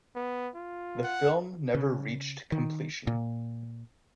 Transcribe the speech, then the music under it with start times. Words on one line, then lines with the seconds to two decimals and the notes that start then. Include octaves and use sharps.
The film never reached completion.
0.15 B3
0.55 F4
1.04 F#5
1.75 C#3
2.52 D#3
3.07 A#2